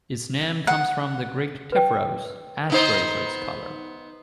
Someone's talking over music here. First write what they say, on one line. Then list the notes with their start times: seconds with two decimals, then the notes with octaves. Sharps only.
Its name comes from the Greek "tephros", "ash gray", for its color.
0.67 F#5
1.72 B4 G5
2.70 B3 D#4 C5